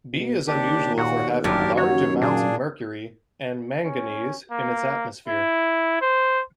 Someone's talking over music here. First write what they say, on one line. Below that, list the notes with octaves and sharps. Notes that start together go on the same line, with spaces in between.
B is unusual for having large amounts of mercury and manganese in its atmosphere.
B2
D#2 D4 G4
A#2 F#4 F#5
G1 F#2 D4 G4 A#4
F#4 C#5
A#2 D4 G#4
C#4
A#3
E4
C5